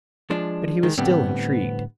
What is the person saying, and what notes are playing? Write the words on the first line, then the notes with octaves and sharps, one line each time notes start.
But he was still intrigued.
F3 G#3 D4
D#3 G#3
A2 D3 G3 B3 C4